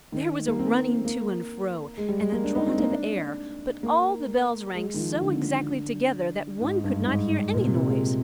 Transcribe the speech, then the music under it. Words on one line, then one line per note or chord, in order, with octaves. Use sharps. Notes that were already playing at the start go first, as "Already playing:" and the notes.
There was a running to and fro, and a draught of air, but all the bells rang so exactly together that one could not hear any noise.
D#3
A#3
C4
A#3
G#3
G3
G#3
A#3
D4
D#4
C4
A#3
D4
A#3
G#3
D#3
F3
D3
G#2
G2
G#2
A#2
C3
C3
G#3